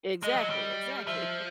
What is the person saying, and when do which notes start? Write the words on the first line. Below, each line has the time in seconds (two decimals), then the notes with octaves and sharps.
Exactly, exactly.
0.22 G#3 D#5
0.36 F#3
0.50 G3
1.07 F3 E5